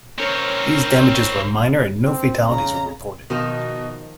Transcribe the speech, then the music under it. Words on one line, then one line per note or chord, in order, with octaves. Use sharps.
These damages were minor, and no fatalities were reported.
C4 C#4 A#4 C#5
C4
C#3 A#5
B2 D#3 F3 D#4 D#5